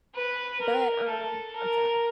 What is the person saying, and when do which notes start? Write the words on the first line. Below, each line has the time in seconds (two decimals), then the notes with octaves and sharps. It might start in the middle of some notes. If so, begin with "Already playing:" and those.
but, um I'm sorry.
0.15 B4
0.61 A#4
1.07 A4
1.56 A#4